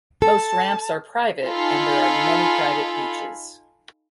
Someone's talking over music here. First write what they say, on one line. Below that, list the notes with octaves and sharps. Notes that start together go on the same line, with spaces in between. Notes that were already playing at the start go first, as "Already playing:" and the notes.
Most ramps are private and there are many private beaches.
A4 A5
D#4 F4 A4 G#5 B5